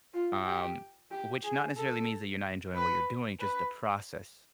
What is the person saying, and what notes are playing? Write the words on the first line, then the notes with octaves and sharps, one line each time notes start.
Um, which not, necessarily means that you're not enjoying what you're doing, just the process
F4
G4
G4
G#4
A4
B4
B4